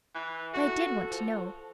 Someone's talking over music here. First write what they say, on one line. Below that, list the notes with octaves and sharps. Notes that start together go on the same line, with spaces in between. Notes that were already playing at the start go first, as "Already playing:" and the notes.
But I did want to know.
E3
F#4 A4
F3